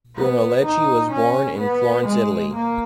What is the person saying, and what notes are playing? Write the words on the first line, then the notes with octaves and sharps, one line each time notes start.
Brunelleschi was born in Florence, Italy.
B3
D#4
C#4
B3
G#3
A#3